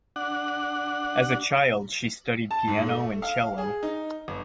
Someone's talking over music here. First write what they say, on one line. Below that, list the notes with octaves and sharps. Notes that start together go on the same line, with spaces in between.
As a child she studied piano and cello.
D4 F#5
A5
G#2
A3
F5
G#4
D#4
G1